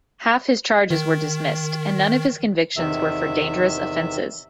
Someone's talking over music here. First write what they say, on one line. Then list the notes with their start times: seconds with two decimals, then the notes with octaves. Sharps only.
Half his charges were dismissed, and none of his convictions were for dangerous offences.
0.90 D#3
2.76 E2 C3 D#3 E5